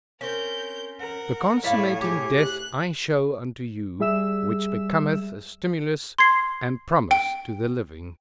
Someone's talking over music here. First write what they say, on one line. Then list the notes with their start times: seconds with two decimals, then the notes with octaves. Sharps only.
The consummating death I show unto you, which becometh a stimulus and promise to the living.
0.21 C4 C#4 A#4 G6
1.00 A#4 F#5
1.64 A2 E4 C#5 D5 F5
2.01 G4 G#4
2.39 F#6
4.00 G3 G#4 E5 E6 E7
6.19 C6 G#6 C7
7.11 G5 D7